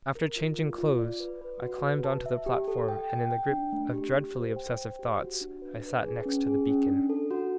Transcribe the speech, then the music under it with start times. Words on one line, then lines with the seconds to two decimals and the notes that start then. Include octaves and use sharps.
After changing clothes, I climbed onto the platform, and in the grip of dreadfully obsessive thoughts, I sat next to the beacon.
0.15 A#4
0.36 F4
0.57 F4
0.78 F4
0.99 D5
1.20 B4
1.41 B4
1.62 F#4
1.84 B4
2.04 A5
2.26 E5
2.46 G4
2.68 A4
2.88 G5
3.10 G5
3.31 G5
3.51 D4
3.72 A3
3.94 G4
4.15 G4
4.36 C5
4.56 G5
4.78 C5
4.99 G4
5.20 F#4
5.41 D4
5.62 B4
5.83 B4
6.04 G#4
6.26 C#4
6.47 G#4
6.67 C#4
6.88 D4
7.10 A4
7.31 F#4